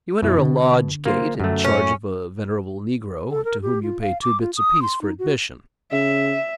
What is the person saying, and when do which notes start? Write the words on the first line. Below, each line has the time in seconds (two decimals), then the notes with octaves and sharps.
You enter a lodge gate in charge of a venerable negro, to whom you pay two bits apiece for admission.
0.22 F#2 B2 E4 E5
0.37 D3
1.06 A#3 F4 C5
1.40 F#2 A3
1.64 C#4
3.30 A4
3.45 A#4
3.62 G4
3.82 F4
4.01 F5
4.22 D6
4.41 F4
4.57 D#6
4.82 C6
5.01 D#4
5.19 F#4
5.92 C#3 E5